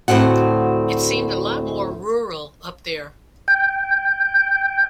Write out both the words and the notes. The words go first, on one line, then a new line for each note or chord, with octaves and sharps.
It seemed a lot more rural up there.
D2 A2 C4 F#4 F#5
G5